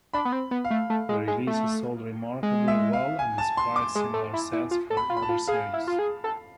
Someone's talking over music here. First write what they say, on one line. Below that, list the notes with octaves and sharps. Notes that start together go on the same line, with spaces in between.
The releases sold remarkably well and inspired similar sets from other series.
D4 B5
B3
C4
B3
F5
A3
A3
G#3
G#3
A3
G#3
E5
F5
G#5
A5
C6
D6
G#3
A3
E4
E4
F4
A4
B5
F4
B5
A5
F4
G#4 F5
E4
F4
G#4
A4